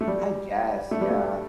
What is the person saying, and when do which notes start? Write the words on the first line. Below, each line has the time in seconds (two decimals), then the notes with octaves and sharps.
I guess, yeah.
0.01 A3
0.08 G3
0.91 A3
1.01 G3
1.11 A3